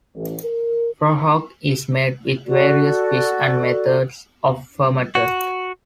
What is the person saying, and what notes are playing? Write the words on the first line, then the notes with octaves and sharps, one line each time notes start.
Prahok is made with various fish and methods of fermented.
A1
A#4
F#4 A4 D5
F#4